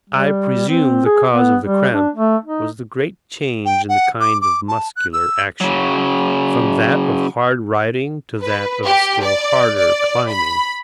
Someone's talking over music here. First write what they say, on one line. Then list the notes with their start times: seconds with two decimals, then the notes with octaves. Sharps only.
I presume the cause of the cramp was the great change in the kind of muscular action, from that of hard riding to that of still harder climbing.
0.10 G3
0.69 C4
1.05 G#4
1.31 B3
1.63 G3
1.93 D4
2.15 A3
2.45 D#4
3.66 G5
3.89 F#5
4.20 D6
4.41 D6
4.68 A5
4.96 F#6
5.13 E6
5.61 C#3 F#3
8.43 B4
8.85 G4
9.23 D5
9.78 D5
10.30 B5